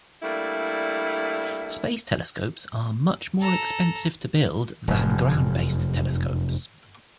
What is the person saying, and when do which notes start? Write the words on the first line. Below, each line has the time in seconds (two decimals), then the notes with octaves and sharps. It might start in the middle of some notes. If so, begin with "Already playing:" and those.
Space telescopes are much more expensive to build than ground-based telescopes.
0.23 G3 A3 A#3 D4 E4
3.39 A4 A#5
4.88 F1 F#2